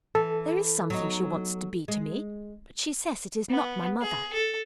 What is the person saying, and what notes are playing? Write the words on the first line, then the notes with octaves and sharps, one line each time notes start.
There is something she wants to be to me, but she says it is not my mother.'
E3 A4
F#3 B3 D#4
G#3
B3
G#4
A4